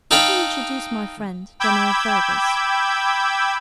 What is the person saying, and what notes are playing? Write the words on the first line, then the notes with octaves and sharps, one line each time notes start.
Let me introduce my friend, General Fergus.
D#4 A4 F5 G5 B5
G5 B5 D6 E6 G6 G#6